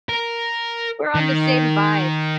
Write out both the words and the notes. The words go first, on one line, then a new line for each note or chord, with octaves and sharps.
We're on the same vibe.
A#4
D#3